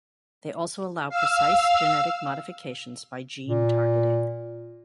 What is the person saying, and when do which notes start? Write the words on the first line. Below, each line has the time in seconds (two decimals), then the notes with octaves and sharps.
They also allow precise genetic modifications by gene targeting.
1.09 F5 E6
3.49 A#2